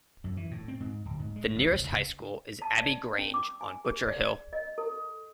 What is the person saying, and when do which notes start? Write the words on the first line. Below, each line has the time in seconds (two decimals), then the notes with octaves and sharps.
The nearest high scool is Abbey Grange on Butcher Hill.
0.24 F#2
0.37 E3
0.51 A2
0.68 C4
0.80 G#2
1.05 D1
1.19 G#2
1.36 G#3
1.56 A1
1.71 C#2
1.84 C#3
2.62 A5
2.82 D5
3.18 C#4
3.34 D6
3.61 G#5
3.85 G#4
4.07 D5
4.53 D#5
4.78 A4